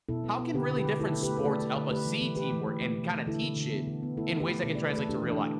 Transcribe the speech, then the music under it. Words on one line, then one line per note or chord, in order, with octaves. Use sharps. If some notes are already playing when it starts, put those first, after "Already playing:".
how can really different sports help us see teamwork and kinda teach it in ways that can translate to real life?
B2 E4 A4
B3
B3
D3 G4 B4
D3
G4 B4
D3
A3 E4 A4
D3
G4 B4
A3
B4
A3 A4 D5
A3
D3
A3 G4 B4
E3
E3
E3 G4 B4
E3
A3
A3
B2
A3
D3 E4 A4
D3
D3
B3
D3
B3
A3 E4 A4
E3
G4 B4
A3
B2
A3 D5
B4
A3 A4
A3 D4 G4
E3
D4
A3